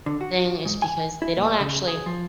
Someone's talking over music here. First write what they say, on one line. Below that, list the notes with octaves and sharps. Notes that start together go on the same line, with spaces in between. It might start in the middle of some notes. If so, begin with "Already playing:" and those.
thing is because they don't actually
D3
F#4
G#2
G#5
E4
A#2
C#3
G#4
F3